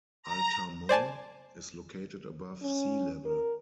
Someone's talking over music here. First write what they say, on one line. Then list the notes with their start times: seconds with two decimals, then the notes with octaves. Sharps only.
Altamont is located above sea level.
0.23 A#5
0.89 C5 D5 G#5 A5
2.62 C#4
3.25 A#4